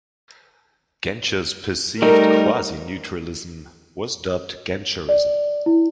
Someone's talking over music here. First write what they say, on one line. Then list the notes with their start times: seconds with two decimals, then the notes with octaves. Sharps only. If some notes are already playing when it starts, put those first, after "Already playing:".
Genscher's perceived quasi-neutralism was dubbed "Genscherism".
2.02 G3 A3 D#4 A#4
5.09 D5
5.66 E4